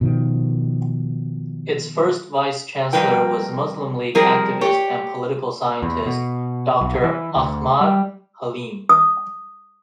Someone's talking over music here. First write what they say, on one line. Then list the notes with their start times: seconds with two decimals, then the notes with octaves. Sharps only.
Its first Vice-chancellor was Muslim League activist and political scientist, Doctor Ahmad Haleem.
0.01 B2 D#3 F3
2.93 F2 G3 A#4 B4 G5
4.15 F3 G3 C4 G#4 A#4
4.61 G4 C#5
5.82 E2
6.06 B2
6.81 B1
7.04 E3
7.36 D2
7.81 G3
8.89 D#6